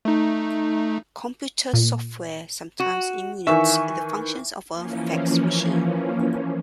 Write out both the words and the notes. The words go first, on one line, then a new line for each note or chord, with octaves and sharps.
Computer software sometimes emulates the functions of a fax machine.
A3 D#4
A#2
F#4
D#3 E3 E5 G#5 C#6
E3 F3 A#3 C#4